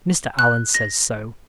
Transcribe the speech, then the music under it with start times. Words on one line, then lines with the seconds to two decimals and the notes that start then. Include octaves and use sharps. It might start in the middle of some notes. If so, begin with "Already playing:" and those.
Mr. Allan says so.
0.39 F#6
0.74 A#6